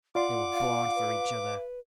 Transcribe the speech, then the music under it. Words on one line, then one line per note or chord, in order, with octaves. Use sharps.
They were born for each other.
F4 D5 F#5 C6 D6
F5
B4